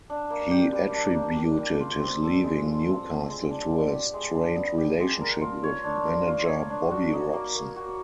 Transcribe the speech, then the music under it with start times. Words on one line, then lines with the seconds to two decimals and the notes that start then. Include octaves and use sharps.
He attributed his leaving Newcastle to a "strained relationship" with manager Bobby Robson.
0.10 D4
0.30 A#3
0.51 G4
0.72 G3
0.94 D4
1.16 A#3
1.36 G4
1.58 G3
1.80 F4
2.00 C4
2.23 A4
2.44 G#3
2.65 F4
2.86 C4
3.07 A4
3.28 G#3
3.51 D4
3.72 B3
3.93 G4
4.14 G#3
4.35 D4
4.56 B3
4.78 G4
5.00 G#3
5.21 A#4
5.41 F4
5.64 C#5
5.84 D4
6.06 A#4
6.28 F4
6.48 C#5
6.70 D4
6.91 F#4
7.13 D#4
7.33 A#3
7.56 A#3
7.76 F#4